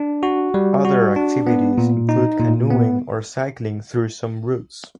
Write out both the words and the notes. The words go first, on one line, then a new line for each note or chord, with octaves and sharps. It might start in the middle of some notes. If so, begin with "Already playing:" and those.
Other activities include canoeing or cycling through some routes.
Already playing: D4
F#4
G3
F#4
D4
B3
A#2
D#4
A#2
B3